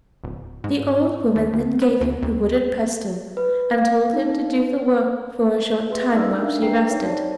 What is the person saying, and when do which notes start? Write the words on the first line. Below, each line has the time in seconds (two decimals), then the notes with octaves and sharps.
The old woman then gave him the wooden pestle and told him to do the work for a short time while she rested.
0.24 D1
0.64 G#2
1.35 D#2
1.53 D2
1.82 B3
2.01 D2
2.23 D2
3.37 B4
3.78 F5
4.13 D#4
5.90 G#4 B4 E5 C6
6.12 C#4 D#4 A#4 D5 E6 F6
6.38 D4 A#4 E5 F5
6.62 A#4 B4 E5 G5 A#5 C7
6.90 C4 D#4 C#5
7.05 C5 D5 A5